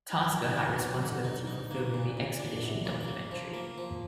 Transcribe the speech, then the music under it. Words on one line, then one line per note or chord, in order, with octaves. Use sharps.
Tasker had responsibility for filming the expedition documentary.
D#4
D#3
A#3
F#3
D3
D#4
D#4
A#3
A#2
A#2
D4
F#2
A#3
A#3
F3
A#3
F3